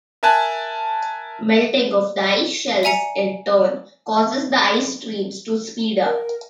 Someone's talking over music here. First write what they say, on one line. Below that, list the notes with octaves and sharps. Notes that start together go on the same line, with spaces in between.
Melting of the ice shelves in turn causes the ice streams to speed up.
A#4 E5 G#5 A5 F#6
D5 E5 G#5 A#5 C#7
A#4